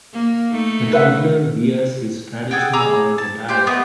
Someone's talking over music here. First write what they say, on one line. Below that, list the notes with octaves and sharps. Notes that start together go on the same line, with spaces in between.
The toddler wears his traditional orange attire.
A#3
A3 D#4
B4 E5 F#5
G#4 A4 F#5 G5
G#4 A#5 D6 E6
A5
G4 C5 G6
A3 B3 D#5 D6